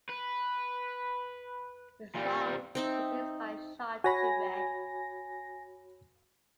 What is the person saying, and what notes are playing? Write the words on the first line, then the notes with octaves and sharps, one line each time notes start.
The song was produced by Shawty Redd.
B4
A#2 G3
C4 D#4 E5
F#4 C#5 G#5 B5 A#6